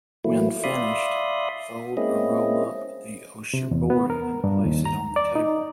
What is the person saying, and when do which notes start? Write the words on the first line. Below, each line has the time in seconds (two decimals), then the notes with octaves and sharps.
When finished, fold or roll up the oshibori and place it on the table.
0.24 E3 F#3 A3 A#3 E4
0.64 D5 E5 F5 B5 C6 D#6
1.97 G#3 A#3 C4 C#4 E4 D#5
3.54 C3
3.71 E2
3.90 B3
4.10 A#4
4.44 G2
4.65 D#2
4.85 A#5
5.16 D5
5.35 D#4